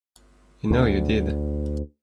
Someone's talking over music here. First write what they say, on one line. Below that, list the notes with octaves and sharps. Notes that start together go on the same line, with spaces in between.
You know you did.
D2